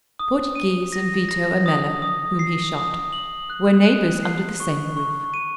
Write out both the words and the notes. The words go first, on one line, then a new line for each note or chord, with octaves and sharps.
Portoghese and Vito Ammella, whom he shot, were neighbors under the same roof.
D#6
D#7
A#6
A#6
D#6
D#6
C7
D#6
F#7
F#6
F#6
C7
C#6
C#6
D#7